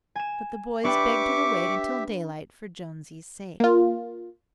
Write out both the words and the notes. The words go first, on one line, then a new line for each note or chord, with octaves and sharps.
But the boys begged her to wait until daylight for Jonesy's sake.
G#5 E7
D4 G4 B4 E5 G5 C#6 D6
A#3 F4